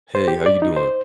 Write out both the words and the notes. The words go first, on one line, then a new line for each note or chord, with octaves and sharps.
Hey, how you doing?
C5
G4
D5
D#4
C5